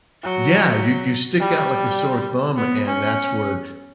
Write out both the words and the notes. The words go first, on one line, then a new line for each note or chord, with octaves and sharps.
Yeah, you you stick out like a sore thumb, and that's where
F#3
G3
B3
C#4